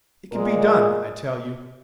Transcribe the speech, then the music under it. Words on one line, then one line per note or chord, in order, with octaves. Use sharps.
It could be done, I tell you.
A#2 G#3 A#4
G#4